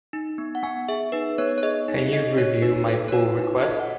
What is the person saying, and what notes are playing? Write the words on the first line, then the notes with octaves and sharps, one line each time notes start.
Can you review my pull request?
D#4
B3
F#5
B3 G#5
G#4 E5
D#4 B4
B3 C#5
C#5
G#4 D#5
D#4
G#4 D#5
D#4 C#5
D#4 B4
A4
C#5
F#4 B4
D#4
A4 D#5
F#5